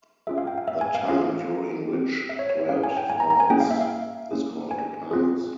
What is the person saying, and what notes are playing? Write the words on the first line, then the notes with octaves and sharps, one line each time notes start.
The time during which Thread falls is called a Pass.
C#4 F4 G#4 E5
F5
G5
F5
E5
G#5
F5
C#4 F4 G#4 F5
C4 G4
E5
C#5
C#5
C#5
C#4 E4 G#4 F5
G#5
G5
G#5
A#5
A#5
G#5
A#3 C#4 E4 G#4 G5
F5
E5
F5
A#3 C#4 E4 G#4
G#5
C4 F4 G#4